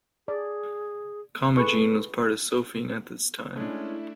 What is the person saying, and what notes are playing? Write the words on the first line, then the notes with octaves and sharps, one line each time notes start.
Commagene was part of Sophene at this time.
G#4 D5
G#4 A4 B4 C#6
G#3 A3 C#4 D4 E4